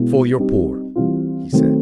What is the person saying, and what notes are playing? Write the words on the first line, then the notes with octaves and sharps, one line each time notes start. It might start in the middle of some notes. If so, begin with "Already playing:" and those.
"For your poor," he said.
Already playing: B2 G#3 B3 E4
G3 C4 D#4 G4
E3 G3 C4 F4
D#3 F#3 A3 C4